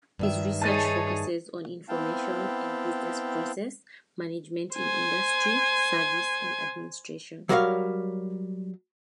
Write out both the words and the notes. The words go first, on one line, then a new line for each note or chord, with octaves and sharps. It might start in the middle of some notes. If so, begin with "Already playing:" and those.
His research focuses on information and business process management in industry, services and administration.
G2 D#3 E5
D#4 G#4 C#5 A5 A6 D#7
B3 C4 E4 F5 G5 A5
C5 G#5
F#3 G3 A#4 C5 C#5 F5